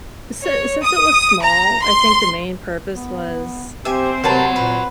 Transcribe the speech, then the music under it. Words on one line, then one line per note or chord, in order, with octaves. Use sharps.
Si since it was small, I think the main purpose was
C#5
D#6
A#5
C6
B3
C4 G4 C5 E5 G#5
C3 F#3 A#4 B4 A5
A#2 B4